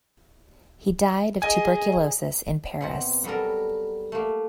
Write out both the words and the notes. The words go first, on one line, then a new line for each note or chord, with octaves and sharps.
He died of tuberculosis in Paris.
G#4 D#5 G#5
B2 C4 F#5
F#3 G3 B3 A4 A#4
A3 A#3